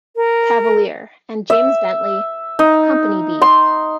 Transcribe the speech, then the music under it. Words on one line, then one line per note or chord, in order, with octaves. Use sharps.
Cavalier, and James Bentley, Company B.
A#4
E5
D#4
C6